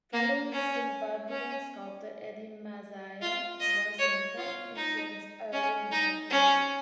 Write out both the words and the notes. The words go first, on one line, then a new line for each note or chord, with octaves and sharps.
Fellow Zimbabwean sculptor Eddie Masaya was an important influence early in her career.
A#3
C#4
C#4
F4
D#5
C#5
F4
D#4
C#4
D#4
C#4